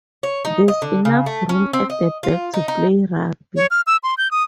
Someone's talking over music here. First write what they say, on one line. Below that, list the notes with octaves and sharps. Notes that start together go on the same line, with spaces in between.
There’s enough room at the back to play rugby.
C#5
D#4
D#5
D3
C#3
A3
C#4
C4
D#5
F4
D#4
D#4
C#5
F6
E6
C6
G6
D#6